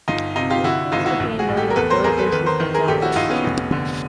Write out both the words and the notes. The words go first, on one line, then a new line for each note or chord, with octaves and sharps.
This case became known as Doe versus Gonzales.
G1 D#4 F4
C3 D#4 F4
F4 G4
D3 E4 F#4
G#1 D#4 F4
E4 F#4
A#1
F#4 G#4
A2
G4 A4
A#4
E2 A4 B4
A#4 C5
E2 G#4 A#4
A4 B4
D#3 A4 B4
A#4 C5
D#3
G#4 A#4
A#1 G4 A4
E4 F#4
A#1 D#4 F4
B3 C#4
F1
D3